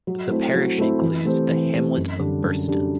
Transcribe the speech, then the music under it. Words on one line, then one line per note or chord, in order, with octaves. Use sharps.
The parish includes the hamlet of Burston.
F#3
A3 C4 E4
F#3
A3 C4 E4
E3
A3 C4 G4
E3
A3 C4 G4
F#2
D3 G3 D4
F#2
D3 G3 D4